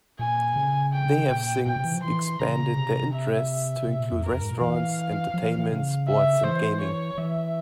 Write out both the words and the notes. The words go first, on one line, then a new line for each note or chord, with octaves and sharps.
They have since expanded their interests to include restaurants, entertainment, sports and gaming.
A#2 G#5
C#3
G5
A#2
A#2 G5
C3
E3
F3
E3 C6
C#3 A#5
C3
E5
C3
A#2
F2
E2
F2 A#4
F2
G#2
A#2
E3 F5
F3
E3
E3
C#3
E5
E3 C5
C#5
E3 E5